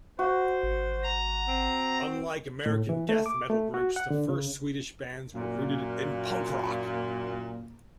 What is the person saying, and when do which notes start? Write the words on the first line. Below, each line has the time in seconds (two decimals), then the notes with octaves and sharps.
Unlike American death metal groups, the first Swedish bands were rooted in punk rock.
0.19 F#4 C5
0.63 G#1
1.03 A#5
1.48 C4
2.66 A2
2.89 E3
3.09 A3
3.26 D6
3.50 A3
3.74 F#4
3.96 F#5
4.11 D3
4.29 C#3
5.35 F#2 A#2